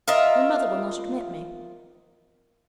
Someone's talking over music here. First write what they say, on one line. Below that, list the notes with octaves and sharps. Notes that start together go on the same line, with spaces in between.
"Your mother will not admit me."
F4 A#4 D#5 E5